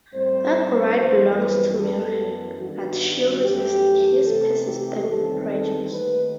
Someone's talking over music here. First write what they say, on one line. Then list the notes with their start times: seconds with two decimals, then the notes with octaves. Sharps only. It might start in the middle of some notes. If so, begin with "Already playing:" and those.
Arkwright longs to marry her, but she resists his persistent pressures.
0.13 A2 G3 C4 C5
0.96 F#2 E3 G3 B3 C5
1.37 B4
1.78 F#2 E3 B3 A4
2.60 G2 D#3 G3 B3 F#4
3.01 F#4
3.43 F#2 E3 A3 G4
4.26 C3 E3 A3 A4
4.67 G4
5.09 E2 D#3 G3 C4 A4
5.49 A4
5.90 D#2 D#3 A3 B4